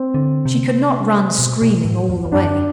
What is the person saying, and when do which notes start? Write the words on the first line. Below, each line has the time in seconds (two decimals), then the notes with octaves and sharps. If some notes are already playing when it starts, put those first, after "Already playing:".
She could not run screaming all the way.
Already playing: C4
0.14 D3
0.46 C3
1.39 B2
1.62 B2
1.85 A2
2.09 E2
2.25 E2
2.31 F#2 D4